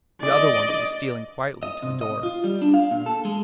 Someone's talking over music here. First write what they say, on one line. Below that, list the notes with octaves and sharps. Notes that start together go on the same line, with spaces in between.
The other one was stealing quietly to the door.
D5 D#5
D#5
C3
D#5
F4
G3
D4
F5
A#2
A4
G#3